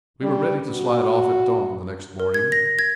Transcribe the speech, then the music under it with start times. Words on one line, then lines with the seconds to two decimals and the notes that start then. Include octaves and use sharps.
We were ready to slide off at dawn the next morning.
0.22 G3
0.73 F#4
2.20 A#4
2.34 G#6
2.52 A#6
2.79 G#6